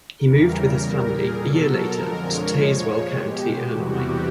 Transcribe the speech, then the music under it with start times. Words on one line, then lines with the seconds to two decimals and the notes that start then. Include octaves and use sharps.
He moved with his family a year later to Tazewell County, Illinois.
0.19 E2 C#3 E3 G3 A#4
0.77 A#2 G3 A#4
1.06 G#4
1.34 B2 F#3 A4
1.63 A#4
1.92 F2 D3 F3 G#3
2.21 C#5
2.50 A#2 F3 G#3
3.07 B2 G#3 G4
3.65 E2 C3 E3 G3 F#4
3.94 G4